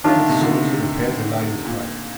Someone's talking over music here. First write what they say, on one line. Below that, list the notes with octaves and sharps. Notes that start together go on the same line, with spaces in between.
The soldier prepared to light his pipe.
D#3 A3 D4 F4
D3
C3
D3
A#2